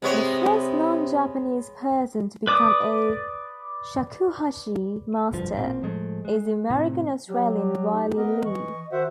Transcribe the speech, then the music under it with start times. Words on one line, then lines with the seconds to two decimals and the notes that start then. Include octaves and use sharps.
The first non-Japanese person to become a shakuhachi master is the American-Australian Riley Lee.
0.02 C3 G#3 B3 C#5
2.47 B4 D5 D6 D#6
5.31 F1 B1 G2 F3
5.57 A1 A#2 C4
5.82 A2 F3 G#3 A3
6.25 G#3
6.70 A2 C3 E3
7.29 F#3 G4
7.54 G4
7.92 D#4
8.17 B3 A#4 D#5
8.45 E3 D#5 C#6
8.92 D#3 F#4 C5 E5 F#5